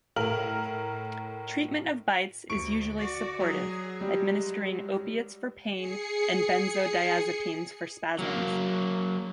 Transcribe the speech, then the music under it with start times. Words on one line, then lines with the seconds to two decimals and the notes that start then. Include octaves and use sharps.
Treatment of bites is usually supportive, administering opiates for pain and benzodiazepines for spasms.
0.16 A2 A#4 F6 F#7
2.50 D2 C#6 D7
2.98 F#4 D5
3.40 F#3 G#4
4.01 G3 G#3
5.71 G#4 C7 C#7
8.19 F#3 A#3